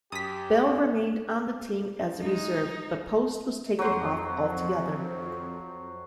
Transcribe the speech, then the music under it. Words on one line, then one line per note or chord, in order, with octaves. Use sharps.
Bell remained on the team as a reserve, but Post was taken off altogether.
F#2 G4 D#6 B6
G#3 D#4
F2 F#3 C5